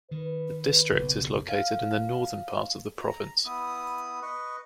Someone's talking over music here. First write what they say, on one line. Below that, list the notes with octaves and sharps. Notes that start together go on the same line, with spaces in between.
The district is located in the northern part of the province.
D#3 B4
F#1 B1
F5
A#5
B3 E4 D#6
B4 D#5 C#6